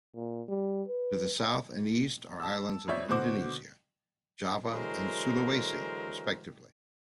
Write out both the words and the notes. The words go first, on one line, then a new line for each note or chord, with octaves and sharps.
To the south and east are islands of Indonesia: Java and Sulawesi, respectively.
A#2
G3
B4
A5 E6
F2 F3 C#5 D5 E5 G6
B2 D3 F#4 C5 D6
D3 E3 F#3 G#3 A#4 C5